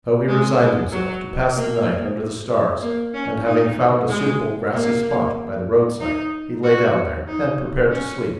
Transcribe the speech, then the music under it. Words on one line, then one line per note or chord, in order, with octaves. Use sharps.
So he resigned himself to pass the night under the stars; and having found a suitable grassy spot, by the roadside, he lay down there, and prepared to sleep.
G#3
G#3
F#3
A#3
A#3
C#4
D#4
G#3
A#3
D#4
F#4
D#4
C#4